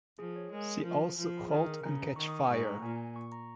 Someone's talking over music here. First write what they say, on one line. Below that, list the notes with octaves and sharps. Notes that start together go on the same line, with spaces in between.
See also "Halt and Catch Fire".
F3 G#4
C#5
G#3 A#4
F3
F3
G#4
D#3 A#4
C#3 A#5
D#3 C#6
D#6
C#6
G#2 C#6
A#5
A#2 G#5
C#6
A#5